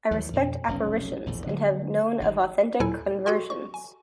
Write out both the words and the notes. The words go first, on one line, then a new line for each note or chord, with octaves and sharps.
I respect apparitions and have known of authentic conversions.
D#2 E3 F#3 G3
F2 B2
F1 B1 C4 C#4
A#1 E2 A2
D3 F#3 B3
G#1 G#2
D#2 A#2 F#3 E4 A4 G#5
F#4 G4 A4 D#5 G5 C6
C#6
G#5